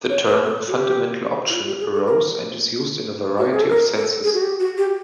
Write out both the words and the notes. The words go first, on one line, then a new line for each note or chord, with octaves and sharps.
The term "fundamental option" arose and is used in a variety of senses.
C#5
B4
A4
F#4
G4
E4
F4
G4
G#4
A4
A#4
F#4
G4
G#4
A4
A#4
A4
G#4
F#4
G4
F#4
G4